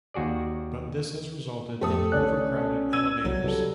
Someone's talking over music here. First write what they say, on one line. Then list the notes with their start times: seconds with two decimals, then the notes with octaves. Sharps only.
But this has resulted in overcrowded elevators.
0.14 D#2 F#4 G#4 D5
1.81 F2 A3 G4 A4 D#6
2.12 C2 C#4 D5 F#6
2.93 E6 G#6 D#7
3.25 C2 F#3
3.45 C2 G3 A4